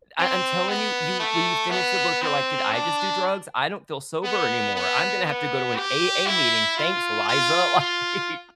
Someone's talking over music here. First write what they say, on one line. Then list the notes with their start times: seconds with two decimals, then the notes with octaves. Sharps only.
I I'm telling you you when you finish the book, you're like, "Did I just do drugs? I don't feel sober anymore, I'm gonna have to go to an AA meeting, thanks, Liza," like
0.19 C4
0.69 B3
1.20 A3
1.70 B3
2.22 C4
2.72 D4
4.24 B3
4.75 B3
5.26 B3
5.76 G4
6.26 E4
6.77 F4
7.28 F4
7.79 F4